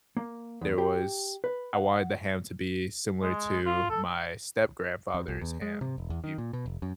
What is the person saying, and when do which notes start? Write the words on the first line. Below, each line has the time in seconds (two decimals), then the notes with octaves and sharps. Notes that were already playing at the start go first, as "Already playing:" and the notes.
there was I wanted the ham to be similar to my step-grandfather's ham, he
0.17 A#3
0.61 E2
0.78 G4
1.44 B4
1.74 F#5
3.22 G#3
3.66 F4
3.90 A4
5.14 F2
5.28 C2
5.41 E2
5.62 G#3
5.81 C3
5.98 E1
6.10 E2
6.24 D#3
6.38 A#2
6.53 B2
6.66 F1
6.82 F#2